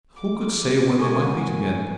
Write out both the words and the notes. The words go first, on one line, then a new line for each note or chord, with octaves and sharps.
Who could say when they might meet again?
D6
G#3 A#3 D#4 F#4 A4 G#5 C#6